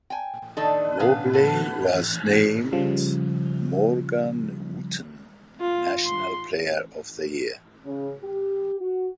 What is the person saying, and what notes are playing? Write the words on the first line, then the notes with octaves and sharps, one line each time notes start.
Mobley was named Morgan Wootten National Player of the Year.
G5 G#5
D#3 D4 D#4 A4
C#3 B3 C#4 D4 B4 F5
A3 B3 A4
C#3 F3 G3
F4
C6
C#3
G4
F#4